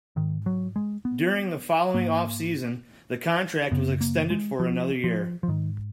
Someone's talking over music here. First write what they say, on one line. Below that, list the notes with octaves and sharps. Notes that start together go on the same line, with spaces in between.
During the following off-season, the contract was extended for another year.
G#2 D#3
F#3
G#3
B3
G#2 A#3
F#2 C#3 B3
A#3
G#3
F3
F3
F3
G#2 D#3